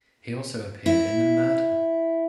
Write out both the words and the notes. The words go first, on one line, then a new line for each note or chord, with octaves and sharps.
He also appeared in the Murder!
E4